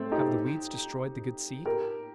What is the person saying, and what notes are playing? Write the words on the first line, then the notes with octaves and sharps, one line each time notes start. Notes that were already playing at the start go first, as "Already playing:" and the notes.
"Have the weeds destroyed the good seed?"
Already playing: A3 C4
D#4 G4
G4 A#4